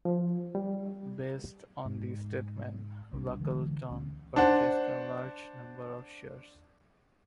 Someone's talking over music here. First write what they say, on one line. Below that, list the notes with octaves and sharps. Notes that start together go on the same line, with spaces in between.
Based on this statement, Buckleton purchased a large number of shares.
F3
G3
G#2
C2 G3 D4
D3 E3 G#3
D2 C#4
D4 C5 F#5